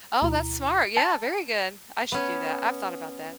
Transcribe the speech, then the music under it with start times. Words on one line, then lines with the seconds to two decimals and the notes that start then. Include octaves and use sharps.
Oh, that's smart, yeah, very good. I should do that, I've thought about that.
0.22 D2 B2 E4 A#5
0.97 A5
2.12 B3 C#4